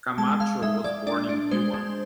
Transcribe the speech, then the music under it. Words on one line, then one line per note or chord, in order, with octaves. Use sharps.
Camacho was born in Guam.
G#3 A5
G#3 F5
G#3 E5
G#3 D5
D4 D5
D4
G#3 C5
G#3